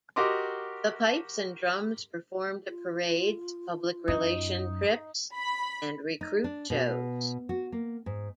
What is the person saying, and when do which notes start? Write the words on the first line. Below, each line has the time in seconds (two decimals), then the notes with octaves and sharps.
The Pipes and Drums performed at parades, public relation trips and recruit shows.
0.16 F#4 G4 A#4 D#5 C6 D6
2.67 F4
4.08 F#2 D#4
5.34 B5
6.21 D#4
6.44 D4
6.70 B2
7.49 F#4
7.72 A#3
8.06 G#2